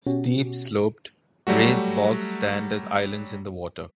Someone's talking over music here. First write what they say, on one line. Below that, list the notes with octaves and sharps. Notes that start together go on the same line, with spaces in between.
Steep-sloped, raised bogs stand as islands in the water.
B2 C#4 F#4 G4
F#3 G3 A3 F#4